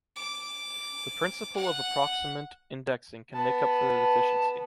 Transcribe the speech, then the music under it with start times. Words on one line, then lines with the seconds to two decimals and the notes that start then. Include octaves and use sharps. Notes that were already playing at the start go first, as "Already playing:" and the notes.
The principle of approximant indexing can make up for the deficiency.
0.16 D6
1.57 F#5
3.34 B3 A5